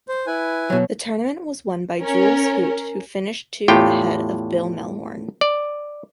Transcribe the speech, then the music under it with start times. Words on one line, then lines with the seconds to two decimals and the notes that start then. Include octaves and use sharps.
The tournament was won by Jules Huot who finished two ahead of Bill Mehlhorn.
0.08 C5
0.27 E4 B4 G#5
0.70 B2 F#3
2.02 C#4 A#4
3.68 E2 A2 F4 G4 G5
5.41 D5